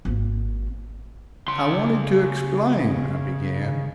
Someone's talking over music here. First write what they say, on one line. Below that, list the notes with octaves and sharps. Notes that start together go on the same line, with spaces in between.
"I wanted to explain--" I began.
G#1 A#3
C#3 C6